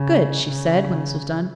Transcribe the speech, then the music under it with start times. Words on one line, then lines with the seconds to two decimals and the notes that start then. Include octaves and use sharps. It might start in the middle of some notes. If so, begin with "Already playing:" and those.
"Good!" she said, when this was done.
Already playing: C#3
0.48 C#3